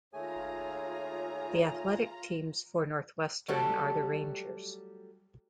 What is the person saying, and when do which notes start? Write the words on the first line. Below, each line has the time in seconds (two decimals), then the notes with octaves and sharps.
The athletic teams for Northwestern are the Rangers.
0.13 D#2 A3 F4 G#4 C#5 G#5 A#5
3.48 F#3 G3 A3 F#4 G4 A4